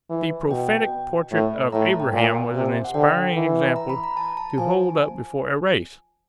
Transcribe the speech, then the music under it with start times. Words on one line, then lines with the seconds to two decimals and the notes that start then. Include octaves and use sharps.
The prophetic portrait of Abraham was an inspiring example to hold up before a race.
0.10 E3
0.50 B2 G5
0.71 G5
1.31 A2
1.72 A2 A#5
1.86 A5
2.00 G5
2.13 A#2 G#5
2.54 C3
2.84 F#5
2.94 D3 G5
3.35 E3
3.76 A#5
3.90 B5
4.04 A#5
4.17 A5
4.37 A5
4.58 F3 G#5